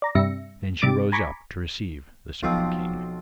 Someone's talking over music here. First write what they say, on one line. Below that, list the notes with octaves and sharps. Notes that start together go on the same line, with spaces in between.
Then she rose up to receive the Serpent King.
D5 A#5
G2 C3 E5 A#6 C#7
C3 G3 D6 A6 D7
G#5 A#5 B5 C#6 D6
B1 F3 C4